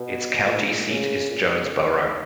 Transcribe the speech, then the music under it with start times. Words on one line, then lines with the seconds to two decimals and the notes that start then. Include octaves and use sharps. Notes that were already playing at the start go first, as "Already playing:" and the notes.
Its county seat is Jonesboro.
Already playing: B2
0.46 A#2
0.55 G#2
0.65 A#2
0.88 C#3
1.30 A#2
1.41 G#2
1.52 B2
1.63 C#3
1.73 D#3
1.93 D#3